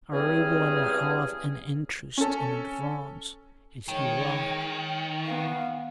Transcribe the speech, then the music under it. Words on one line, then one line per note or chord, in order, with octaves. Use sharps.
"A rouble and a half, and interest in advance, if you like!"
E2 G2 C#3 C4 G#4 F6
C#4 A4
D#3 G#3 C#5
B3 F5